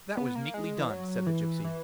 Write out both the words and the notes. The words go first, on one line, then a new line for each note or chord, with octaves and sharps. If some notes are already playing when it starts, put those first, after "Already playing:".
'That was neatly done,' said the gypsy.
B3
A#3
G#3
E3
F#3
E3
E3